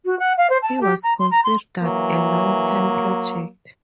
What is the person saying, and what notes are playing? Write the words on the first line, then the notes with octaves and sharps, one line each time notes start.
He was considered a long term project.
F#4
F#5
F5
C5
A5
G4
A#5
C6
A#5
C6
E3 F#3 A#3